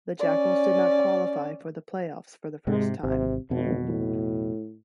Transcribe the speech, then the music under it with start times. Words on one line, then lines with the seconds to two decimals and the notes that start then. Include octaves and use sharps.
The Jackals did not qualify for the playoffs for the first time.
0.20 C#4 D5
2.67 G#2 C3 G#3
3.03 G#1 C3
3.50 G#1 F2 B2
3.88 A2